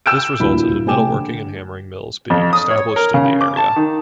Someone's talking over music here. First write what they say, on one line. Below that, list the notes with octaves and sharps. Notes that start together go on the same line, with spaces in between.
This resulted in metalworking and hammering mills being established in the area.
E6 G6 D7
D#1 D2 G2 A#2 E4 B5
C3 A3 G5 G#5 D6 E7
D3
F2
D#6
C#5
A#4
C#3
D6
A5
D#3